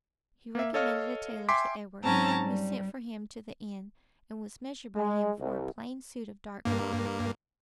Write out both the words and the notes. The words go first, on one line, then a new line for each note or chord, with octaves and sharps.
He recommended a tailor to Edward, who sent for him to the inn, and was measured by him for a plain suit of dark cloth.
A#3 E5
A4 C#5 D#5 F5 F6
E5 G5 G#5 C6 D6 B6
G#2 F#3 C4 C#4 A5 A#5
G3
G#3
C2
G2 A#3